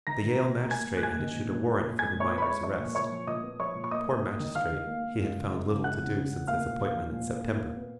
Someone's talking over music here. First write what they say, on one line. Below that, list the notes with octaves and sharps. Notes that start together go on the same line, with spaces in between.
The Yale magistrate had issued a warrant for the miner's arrest--poor magistrate, he had found little to do since his appointment in September!
D#3 A#5 A#6
D#3
A#3
A#3
A#3 G#5 G#6
A#3
F#6
A#3 G#5 G#6
D#3
A#2
A#2
A#2
A#2
G#3 G#5 G#6
A#2
C#5 C#6
B3
B5
C#5 C#6
G#3
F3 C#5 C#6
A#2
A#2 C#5 C#6
F3
A#2 D#5 D#6
B3
F3 C#5 C#6
A#2
C#6
A#3 D#5 D#6
A#3
A#3
D#3
D#3 F5 F6
D#3
A#3
A#3
G#3
C#3
G#3
C#3
G#3 F#5 F#6
C#3
C#3
C#3
A#3 F5 F6
A#2
A#2
F3
A#2
A#2
A#3
A#2
B3